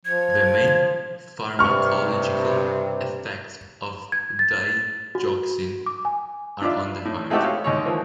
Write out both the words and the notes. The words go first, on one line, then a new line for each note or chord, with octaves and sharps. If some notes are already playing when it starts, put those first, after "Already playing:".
The main pharmacological effects of digoxin are on the heart.
F3 G#6
G2 C3 C#6 F6
G#6
A6
F#4
D6
G#5
D4 F4 D5 E5
A2
G#3 A3 E4 F#4 G4 A4
C#5 F5
D#2 G#3 C#5
E3 F3 A#3